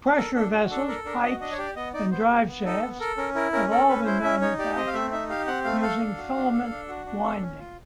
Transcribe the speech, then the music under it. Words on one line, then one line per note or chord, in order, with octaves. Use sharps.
Pressure vessels, pipes and drive shafts have all been manufactured using filament winding.
A4 A#4
D4 A4
F#4
D4 A4
A4 A#4
D4 A#4
F#4 D#5
D4 D#5
C#5
G4 D5
B3 D#5
D#4 D5
B3 C5
G4
B3
D#4 A4
B3
A4 A#4
C#4 A#4
E4 A#4
C#4 A#4
A4 A#4
C#4 B4
E4 C5
C#4 E5
D#4 C#5
G4 D5
C4 D#5
F5
A3 E5
D#4 E5
G4 F5
C4 F#5
A3 F5
A4 F5
D4
F#4
D4
A4
D4
F#4
D4
A4
C#4
F4